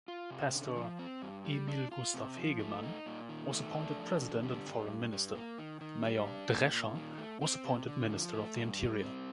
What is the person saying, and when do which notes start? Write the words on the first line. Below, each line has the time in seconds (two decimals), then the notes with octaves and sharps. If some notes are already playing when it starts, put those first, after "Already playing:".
Pastor Emil Gustav Hegemann was appointed President and Foreign Minister, Mayor Drescher was appointed Minister of the Interior.
0.08 F4
0.30 C3
0.54 D3
0.76 F3
0.99 C4
1.22 G2
1.45 G3
1.68 D4
1.92 F4
2.14 C3
2.37 F3
2.59 A3
2.83 D#4
3.06 A#2
3.29 D#3
3.51 A3
3.75 D4
3.97 F2
4.20 D3
4.43 G3
4.67 G2
4.89 G2
5.12 G3
5.35 A#3
5.58 D#3
5.81 D#3
6.04 G3
6.27 D4
6.50 A#2
6.73 A#2
6.95 D#3
7.18 A3
7.41 C4
7.65 C3
7.88 D3
8.10 F3
8.33 A3
8.56 G2
8.79 G3
9.02 C4